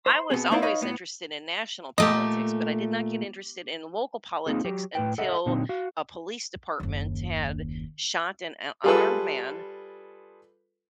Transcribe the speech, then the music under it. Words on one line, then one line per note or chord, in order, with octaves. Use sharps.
I was always interested in national politics, but I did not get interested in local politics until a police department had shot an u unarmed man,
C5 C6
B2 B3 C4 G#4
A3 B3 D#4 E4 C5 D5
D#4 B4 C#5 D#5 F5
A2 B3
A#2 A3 G4 A4 D#5
A#3 C4 D#4 F4 G#4
F#3 G4
A2 B4 G5
A4 D#5 E5 F#5
A#2 D3 F#3 C4 D#4
F#4 F5
F#1 D#2
G3 F4 G#4 A4 B4